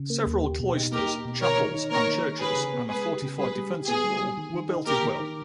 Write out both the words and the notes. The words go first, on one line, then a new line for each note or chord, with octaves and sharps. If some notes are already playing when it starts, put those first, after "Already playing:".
Several cloisters, chapels and churches, and a fortified defensive wall were built as well.
Already playing: C#3
A#3
D#2
G4
B2
D#4
A#3 G4 A#4
G4
B2
D#3 A#4 C#5
D#3
D#4
A#3 A#4 C#5
D#3
D#3
G4 G#4 B4
C#3
B3
G#3 G#4 B4
G4
C#3
G3 G#4 B4
G3
G4
B3 G#4
G3
G3
D#3
D#3
D#4
A#3 G4 A#4
D#3
D#3